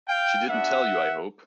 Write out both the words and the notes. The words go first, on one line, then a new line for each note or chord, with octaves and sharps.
She didn't tell you, I hope?
F5 G5
B3 D4 F#4 E5 F#5